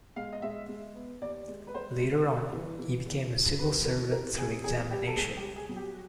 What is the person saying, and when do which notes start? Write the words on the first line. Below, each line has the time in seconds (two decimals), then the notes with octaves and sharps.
Later on, he became a civil servant through examination.
0.16 G#3 F5
0.33 D#5
0.42 G#3 E5
0.69 G#3
0.95 B3
1.21 D#2 D5
1.48 G#3
1.67 B4
1.74 G#3 C5
2.00 G3
2.27 G3
2.53 E3
2.79 E3
3.06 E2
3.32 G3
3.59 C3 B4
3.84 E3 A#4
4.12 C3 A#4
4.38 C3 G#4
4.64 E2 G#4
4.90 G3 G4
5.07 A4
5.16 C#2 G#4
5.37 G4
5.43 C#3
5.56 G#4
5.69 F#3
5.76 G4